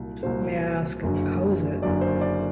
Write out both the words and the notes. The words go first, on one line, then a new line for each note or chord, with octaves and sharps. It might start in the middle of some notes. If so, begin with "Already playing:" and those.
May I ask — How is it?
Already playing: C2 A#2 F#3
C2 A#2 F#3 C5
F#1 F#2 D3 F#3
F#1 F#2 D3 F#3 D5
C5
D5